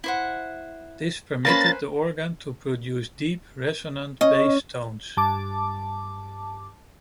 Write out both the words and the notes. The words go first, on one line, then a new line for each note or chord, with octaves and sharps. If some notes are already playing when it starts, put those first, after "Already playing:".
This permitted the organ to produce deep, resonant bass tones.
E4 C5 F#5
A#3 C#4 B4 C5 A#5 B5 A6
C#4 D#5
G2 A5 D6